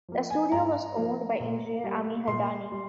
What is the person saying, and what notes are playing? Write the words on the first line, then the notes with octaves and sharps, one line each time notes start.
The studio was owned by engineer Ami Hadani.
F3 A#3
G#5
G#2 A#5
F3 A#3
A#2
G3 A#3
A#2 C6
G3